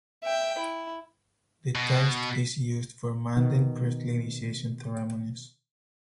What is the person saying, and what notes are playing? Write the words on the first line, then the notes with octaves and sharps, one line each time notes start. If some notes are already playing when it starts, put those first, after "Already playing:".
The text is used for Mandaean priestly initiation ceremonies.
E5 G5
E4
B2
B2 D#3